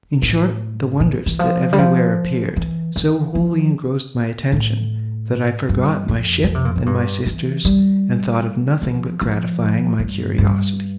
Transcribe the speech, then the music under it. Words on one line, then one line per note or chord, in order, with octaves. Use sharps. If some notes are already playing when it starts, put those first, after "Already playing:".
In short, the wonders that everywhere appeared so wholly engrossed my attention, that I forgot my ship and my sisters, and thought of nothing but gratifying my curiosity.
A2
A#2
E3
F3
G3
F3
E3
E3
F3
A2
G2
F2
D3
C3
A#2
A2
G2
E3
G3
F3
F3
G2
G2